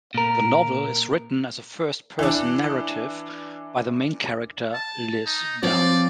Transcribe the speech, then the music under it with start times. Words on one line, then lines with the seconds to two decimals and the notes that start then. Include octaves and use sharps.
The novel is written as a first-person narrative by the main character, Liz Dunn.
0.14 A#2 A#4
2.19 E3 D4
4.74 A5
5.26 D#4
5.63 F3 C4 C#5 D5